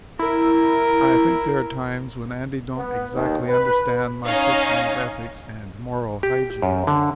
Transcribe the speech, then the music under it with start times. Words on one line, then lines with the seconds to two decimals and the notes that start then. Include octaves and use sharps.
I think there are times when Andy don't exactly understand my system of ethics and moral hygiene.
0.19 E4 A#4
2.77 B3
3.13 D#2
3.48 B4
4.25 C#4 D#4 C#5 D#5 F5 G#5
6.23 G4
6.62 F#2
6.87 D3